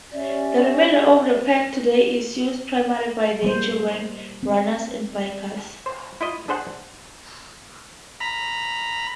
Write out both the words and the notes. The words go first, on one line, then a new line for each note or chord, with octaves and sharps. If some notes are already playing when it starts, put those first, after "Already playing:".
The remainder of the path today is used primarily by children, runners and bikers.
C#4 G4 D5 E5
G3 A#3 C5
C4
C5
E4 F4 D#5
D4 G#4 C5 F#5
A#5 B5